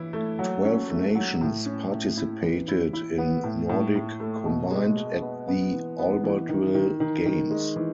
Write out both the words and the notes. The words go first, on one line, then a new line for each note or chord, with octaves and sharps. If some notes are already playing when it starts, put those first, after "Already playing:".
Twelve nations participated in Nordic combined at the Albertville Games.
Already playing: E3 E4
A3
F#3
C#4
A3
F#3
A2
C#4
A2
E4
E3
E4
E4
B3
A2
A2
A2
A3
B2
G#3
G#3
B3
B3
E3
B3
E3
D#3
D#3
D#3
D#3
G#3
E3